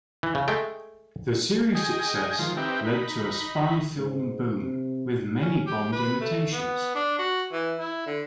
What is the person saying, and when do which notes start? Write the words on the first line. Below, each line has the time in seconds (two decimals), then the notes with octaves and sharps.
The series' success led to a spy film boom with many Bond imitations.
0.23 E3
0.35 C#3
0.48 G#3 A3 G5
1.75 G#4 D#5 G5 G#5
2.39 D#3 F3 G#3 F4
2.57 C4 D#4 G4 B4 E5 G5
2.85 D#4 B5
3.98 G#2
4.60 C3
5.42 C#4
5.66 G4
5.92 B4
6.21 A3
6.52 B3
6.95 D4
7.18 F#4
7.52 E3
7.79 E4
8.06 D3